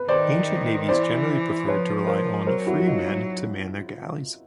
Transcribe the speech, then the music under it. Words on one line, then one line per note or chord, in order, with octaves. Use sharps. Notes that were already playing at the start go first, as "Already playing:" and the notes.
Ancient navies generally preferred to rely on free men to man their galleys.
Already playing: B4
D#3 C5 D5
E3 C5 D5
F3 B4 C#5
A#4 C5
F#3 A#4 C5
E4 F#4
F#4
D#4 F4